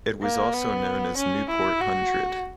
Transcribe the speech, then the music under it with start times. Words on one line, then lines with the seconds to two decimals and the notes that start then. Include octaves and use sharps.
It was also known as Newport hundred.
0.22 A#3
0.54 B3
1.17 C#4
1.49 E4
1.81 F#4